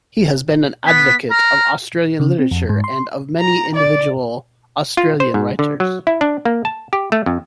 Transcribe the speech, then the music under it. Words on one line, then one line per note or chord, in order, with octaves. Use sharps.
He has been an advocate of Australian literature and of many individual Australian writers.
B3 B6
A#5 F6
C#3
C4
F2
G#2
C6
A#5
D5
F4
C5
G#2
D3
F#3
E4
D4
A#3
A5
G4
A3
F2